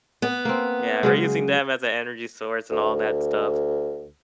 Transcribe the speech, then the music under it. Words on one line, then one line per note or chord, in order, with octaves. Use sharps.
Yeah, we're using them as an energy source and all that stuff,
B3
A#3 C4
C#3 F#3 G#3
D2